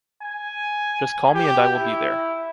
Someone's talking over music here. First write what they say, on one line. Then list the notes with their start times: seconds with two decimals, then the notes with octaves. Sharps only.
Just call me and I will be there.
0.22 G#5
1.35 G4
1.73 E4